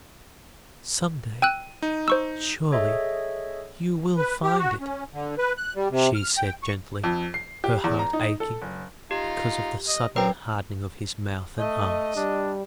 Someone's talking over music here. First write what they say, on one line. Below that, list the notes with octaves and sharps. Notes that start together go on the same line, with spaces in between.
"Some day--surely--you will find it?" she said gently, her heart aching, because of the sudden hardening of his mouth and eyes.
G5 E6 F#6 D#7
D#4
C5 C#6 E6
G#4 A4 C#5 D#5 E5
B4
G4
F#4
C#4
D3
B4
F#6
G3
C3
F6
G5
C#6
F2
C7
G4
E2
A#5
D#4
A4
F#1
D#4 F4 G4
D#5
F#2 C4 A#4 B4 G5
A3 D#5
G3 D4